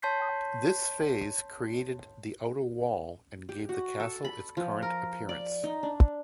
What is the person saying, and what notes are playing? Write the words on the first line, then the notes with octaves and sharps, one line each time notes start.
This phase created the outer wall and gave the castle its current appearance.
C#5 A5 C6 G6 B6 C7
G4
F#4
A4
B5
F3
A#4
D5
D#4
D4